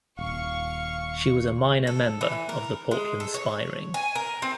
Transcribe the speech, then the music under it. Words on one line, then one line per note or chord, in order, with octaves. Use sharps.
She was a minor member of the Portland Spy Ring.
D#1 F5 C#6
A4
E3
A#4
G#3
A4
C#5
G#5
A#4
C4